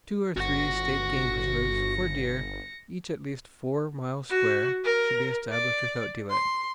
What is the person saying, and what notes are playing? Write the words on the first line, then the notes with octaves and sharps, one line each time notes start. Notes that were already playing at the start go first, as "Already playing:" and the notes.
Two or three state game preserves, for deer, each at least four miles square, should be established without delay.
G1 F#4 F#5 A#6 C#7
F#4
A#4
D5
C6